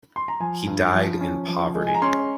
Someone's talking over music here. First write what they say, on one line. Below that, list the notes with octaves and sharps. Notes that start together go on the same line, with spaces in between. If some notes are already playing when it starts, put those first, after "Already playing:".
He died in poverty.
C6
A#5
F3 G#5
G2
F3
C#4
F3
G#3
G#5
A#5
C#4 C6